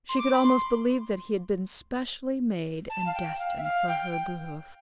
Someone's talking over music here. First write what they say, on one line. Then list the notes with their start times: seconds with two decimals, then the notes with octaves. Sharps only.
She could almost believe that he had been specially made and destined for her behoof.
0.09 C6
0.18 D6
0.33 B5
0.43 C6
2.89 A5
3.06 F5
3.14 G5
3.39 F5
3.57 E5
3.64 F5
3.88 G5